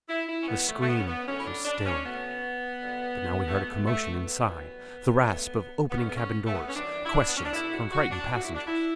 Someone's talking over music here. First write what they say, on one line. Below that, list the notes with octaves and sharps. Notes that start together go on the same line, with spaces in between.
The scream was stilled, but now we heard a commotion inside--the rasp of opening cabin doors; questions from frightened passengers.
E4
E4
C#4
F#2 E3 G3 B3
A3
A3
B3
C#4
B3
F#2 D3 F#3 A3 C#4
E4
D4
D4
C#4
B2 A3 B3
G2 D3 F#3
A3
B2 A3 B3
A3
B3
F#2 E3 G3
G2 F#3 A3
B3
G2 D3 A3 C#4
B3
C#4
A3
B3
C#4
F#2 E3 G3 D4
E4
D4
B3
C#4
D4
E2 B2 A3 E4
F#4
F#4
D4
G2 F#3 A3 F#4
E4
D4
E4